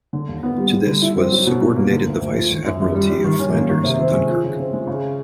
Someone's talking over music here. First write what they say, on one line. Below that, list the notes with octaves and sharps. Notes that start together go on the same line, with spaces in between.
To this was subordinated the Vice-Admiralty of Flanders in Dunkirk.
D3
D#2
B3
G3
G3
D3
E4
C4
F#3
B2
B2
A#3
D3
D2
D2
F3
D#3
F#2
F#2
G3
G3
D#3
C#4
A#3
D#3
C3
C4
G#3
F3
C#3
C4
G#3
C#3